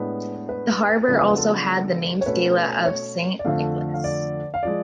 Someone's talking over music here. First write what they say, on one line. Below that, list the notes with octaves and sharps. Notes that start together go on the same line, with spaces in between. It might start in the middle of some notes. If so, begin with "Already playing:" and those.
The harbour also had the name Skala of Saint Nicholas.
Already playing: A2 G#3 B3 D4 B4
B4
C#3 F3 G#3 B3 D4 A4
B4
B4
A4
C#5
B2 A3 C#4 B4
C#5
D5
F2 D3 F3 A3 F5
F5
D5
F5
F3 G#3 D5